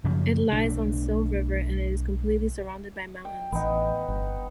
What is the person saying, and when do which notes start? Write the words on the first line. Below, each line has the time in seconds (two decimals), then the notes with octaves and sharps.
It lies on Sil River and it is completely surrounded by mountains.
0.04 F#2 C#3 F3
0.52 B1 A3 D4
3.25 G5
3.52 A1 E3 B3 D#4
4.08 G1